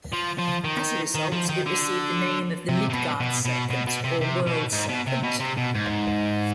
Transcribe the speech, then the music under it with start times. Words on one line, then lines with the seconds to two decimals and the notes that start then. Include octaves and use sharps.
As a result, it received the name of the Midgard Serpent or World Serpent.
0.13 F3
0.39 F3
0.64 D#3
1.15 D#3
1.32 F3
1.49 D#3
1.66 D3
2.69 C3
2.90 C3
2.93 B2
3.20 B2
3.45 B2
3.70 B2
3.87 B2
4.04 C3
4.21 C3
4.47 B2
4.73 G#2
4.89 B2
5.07 C3
5.24 B2
5.40 C3
5.58 B2
5.75 G#2